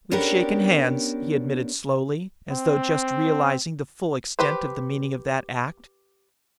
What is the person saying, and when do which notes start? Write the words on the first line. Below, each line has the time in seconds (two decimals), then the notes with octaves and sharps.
"We've shaken hands," he admitted slowly, as though just realizing the full extent of the meaning of that act.
0.11 B3 C#4 D4 G4 A#4
2.50 C4
4.39 G4 B4 C5